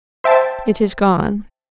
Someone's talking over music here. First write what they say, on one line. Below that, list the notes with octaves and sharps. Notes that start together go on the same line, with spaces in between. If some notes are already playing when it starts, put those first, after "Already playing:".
"It is gone."
C5 E5 G5 A5